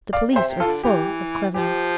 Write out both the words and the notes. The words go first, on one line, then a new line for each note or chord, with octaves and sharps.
The police are full of cleverness.
D5 F5
C3
C5 E5
C3
E3 F4 A4
D3
E3 G4
F3 G4